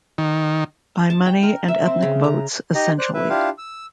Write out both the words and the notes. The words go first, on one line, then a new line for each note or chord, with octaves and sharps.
By money and ethnic votes, essentially.
D#3
A5
G5
A#4
E5
C4
C#3
A#5
D#4 G4 D#5 A#5
C5 D5 F#6
E4 B4 E5
D4 E4 F4 G4 F5
E6